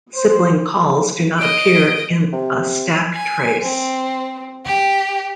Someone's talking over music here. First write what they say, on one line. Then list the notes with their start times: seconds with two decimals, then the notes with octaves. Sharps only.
Sibling calls do not appear in a stack trace.
0.15 C5
1.39 D#5 D7
2.33 C3
3.14 G#5
3.62 C4
4.65 G4